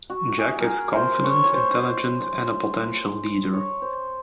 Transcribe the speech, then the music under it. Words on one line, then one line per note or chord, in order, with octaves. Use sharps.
Jack is confident, intelligent and a potential leader.
F#4
G#4
A#4
G#4
C5
C#5
C#5
C5
C#5
C5